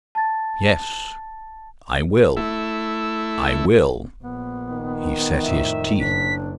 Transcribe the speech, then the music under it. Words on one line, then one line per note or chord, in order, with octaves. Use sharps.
"Yes;--I will!--I will!" He set his teeth.
A5 A6
A3 E4
A#1 B3
D#3
F2 A2 E5
F#1 D4 B6